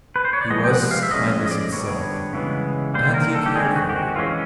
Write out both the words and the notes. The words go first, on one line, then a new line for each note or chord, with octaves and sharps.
He was kindness itself, and he cared for me.
B4
C5
C#5
D5
F3 G#3 B3 D#5
G5
F#5
F5
E5
F3 G#3 C#4 D#5
D#5
D#5
D5
D3 G3 B3 C#5
C#3 E3 G#3 B3
D3 G3 A#3 C5
A#4
A4
G4
D#3 G#3 C4 G#4
F#4
G4
F#4
E3 G#3 C#4 F4